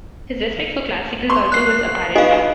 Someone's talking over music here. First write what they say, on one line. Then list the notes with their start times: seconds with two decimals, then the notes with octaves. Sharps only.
His respect for classical culture was apparent.
1.30 C6 C#6
1.52 F#6 C7
2.16 G#4 B4 D#5 F5